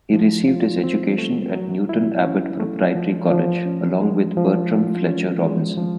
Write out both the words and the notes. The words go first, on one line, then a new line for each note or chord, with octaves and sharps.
He received his education at Newton Abbot Proprietary College along with Bertram Fletcher Robinson.
F3
F4
C4
A3
F#3
E4
C#4
A3
F3
F3
C#4
G#3
F3
F4
C#4
G#3
F3